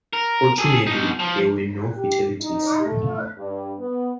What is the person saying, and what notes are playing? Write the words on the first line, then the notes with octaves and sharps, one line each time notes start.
Fortunately, there were no fatalities.
A#4
G#4 A4
B2 D#4
F3
G4
D#4
A3
G2
B3